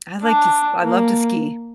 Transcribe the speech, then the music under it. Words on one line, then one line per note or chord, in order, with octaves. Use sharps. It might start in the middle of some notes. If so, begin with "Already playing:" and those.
I like to s I love to ski.
D4
A#3